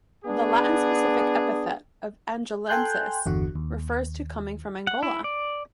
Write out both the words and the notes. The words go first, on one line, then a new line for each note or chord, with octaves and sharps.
The Latin specific epithet of "angolensis" refers to coming from Angola.
B3 D4 G#4
A4 G5 G#5 C6 F#6 G6
G1 E2 D3 F#4 F#5
D#2
F#5
E4
D5